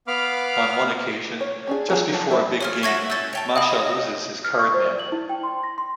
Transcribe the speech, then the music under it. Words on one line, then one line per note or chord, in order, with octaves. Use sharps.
On one occasion, just before a big game, Macha loses his card man.
B3 F5 B5 D6 F6
C#5
C#4 D4 G#4
F3 F#3 B3 F4 G#4
F#3 A5
G3 E4 C5 E5
A3 F4 G#4 C#5 F6
A4 E5 F#5 C#6 G#6 A#6
C#4 E4 E6 G6 A6
C#5 G5 A5
D#5 F5 F#5 B5
F6
C#6
C5
D5
F#7
E4
G5
C6
A#6
C6